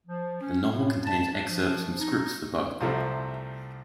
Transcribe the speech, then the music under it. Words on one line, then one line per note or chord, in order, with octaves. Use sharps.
The novel contains excerpts from scripts for both.
F3
C#4
A2
A5
D4
F3
D#4
C2 C3 F3 A3 E4 C5